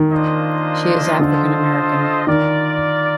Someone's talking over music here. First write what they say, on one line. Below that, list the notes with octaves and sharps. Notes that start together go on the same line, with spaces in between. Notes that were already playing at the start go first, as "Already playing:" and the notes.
She is African-American.
Already playing: D#3
A#3 D4 F4 C5 D#5
D3 F4 A4 C5 D#5
D#3 F4 A#4 D5